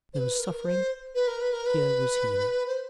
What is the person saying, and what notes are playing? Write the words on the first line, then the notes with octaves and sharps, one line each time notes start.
There was suffering; here was healing.
C5
B4
A#4
C5
B4
A#4
B4
A#4
B4
C5